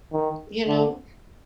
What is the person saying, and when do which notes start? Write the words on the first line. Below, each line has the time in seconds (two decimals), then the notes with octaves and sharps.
you know?
0.13 D#3
0.67 D3